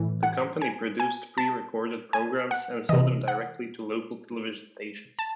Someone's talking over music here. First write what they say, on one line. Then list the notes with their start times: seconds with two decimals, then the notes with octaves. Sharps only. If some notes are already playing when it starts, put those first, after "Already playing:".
The company produced pre-recorded programs and sold them directly to local television stations.
Already playing: A2 E3
0.23 F#5
0.62 G#5
1.00 G#5
1.38 A5
2.13 G#5
2.51 F#5
2.89 C3 E3 D#5
3.28 F#5
5.19 A5